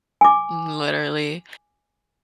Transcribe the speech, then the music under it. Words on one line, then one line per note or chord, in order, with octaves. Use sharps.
Mm, literally.
G#5 D6